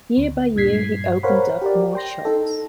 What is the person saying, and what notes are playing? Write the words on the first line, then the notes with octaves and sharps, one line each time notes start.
Year by year he opened up more shops.
D2
G2 A#2 G#6 B6 C7
A#4 C5 C#5 F5 F#5 B5
G4 A#4 D5
G5 C6 A#6
D#4 A4